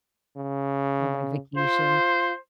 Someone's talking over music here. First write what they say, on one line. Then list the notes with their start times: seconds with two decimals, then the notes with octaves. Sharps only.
on, like, vacation.
0.37 C#3
1.57 F4 C5